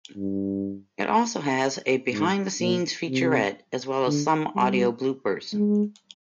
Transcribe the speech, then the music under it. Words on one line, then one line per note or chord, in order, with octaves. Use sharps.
It also has a "behind the scenes" featurette, as well as some audio bloopers.
G2
G#2
A#2
C3
D3
G3
G#3